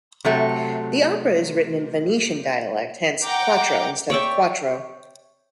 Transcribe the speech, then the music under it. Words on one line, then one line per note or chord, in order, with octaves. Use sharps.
The opera is written in Venetian dialect, hence "quatro" instead of "quattro".
C3 F#3 A3
F#5 G5 A#5 D6
C#5 D5 E5 G5